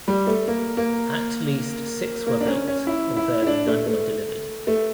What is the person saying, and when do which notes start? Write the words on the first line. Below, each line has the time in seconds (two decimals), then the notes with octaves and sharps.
At least six were built, although none were delivered.
0.08 G3
0.27 A3
0.48 A#3
0.77 A#3
2.27 A#3
2.40 D4
2.47 C#4
2.68 C#4
2.87 E4
3.17 E4
3.42 E4
3.47 D4
3.67 A3
3.86 A3
4.67 A3